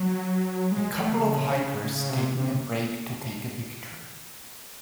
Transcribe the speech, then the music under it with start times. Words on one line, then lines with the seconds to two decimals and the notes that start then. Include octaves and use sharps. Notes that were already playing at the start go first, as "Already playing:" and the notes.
A couple of hikers taking a break to take a picture.
Already playing: F#3
0.72 G#3
1.00 A3
1.13 C#3
1.95 C#3
2.09 C3
2.37 C3